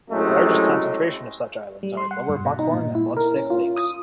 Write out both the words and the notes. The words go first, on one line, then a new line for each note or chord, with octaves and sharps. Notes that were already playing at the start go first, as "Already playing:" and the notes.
The largest concentration of such islands are in Lower Buckhorn and Lovesick Lakes.
F#2 A2 C3 G#3 A3
G3
C6
F#5
G2
B2
D#4
A#2
E4
A#4
C#4
F4
D#6